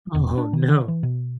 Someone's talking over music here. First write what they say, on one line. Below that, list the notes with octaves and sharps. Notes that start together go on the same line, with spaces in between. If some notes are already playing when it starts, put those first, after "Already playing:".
Oh, no.
E1
D4
D#3
E3
B2